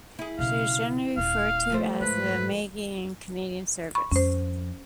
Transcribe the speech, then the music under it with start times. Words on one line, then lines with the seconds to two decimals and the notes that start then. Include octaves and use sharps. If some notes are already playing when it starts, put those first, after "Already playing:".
She was generally referred to as the "Maggie" in Canadian service.
0.19 E4 G#4
0.39 B1 C#3 F5
1.17 D#1 F5
1.70 F3 A3 C5
2.01 G#2 B4
3.95 B5 C#6
4.11 F2 C#4 C5